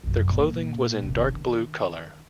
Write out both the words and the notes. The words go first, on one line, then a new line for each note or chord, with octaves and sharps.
Their clothing was in dark-blue colour.
C2 F#2
A#2
C2 F2
D#3 D4